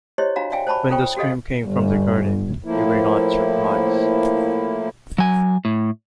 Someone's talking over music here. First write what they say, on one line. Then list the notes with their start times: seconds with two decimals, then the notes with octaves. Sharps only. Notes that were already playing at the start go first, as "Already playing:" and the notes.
When the scream came from the garden you were not surprised.
0.18 E4 G4 C5 C#5 D#5 C6
0.36 D4 F4 F#4 F5 A#5
0.52 D5 E5 F5 G5 G#5
0.67 C5 D5 A5 B5 C#6
0.90 F4 A4 C5 G5 C#6
1.16 F#4 G4 A4 D#5 F5
1.63 G1
2.64 A2 F3 A#3 E4
5.18 F#3 G#5
5.65 A2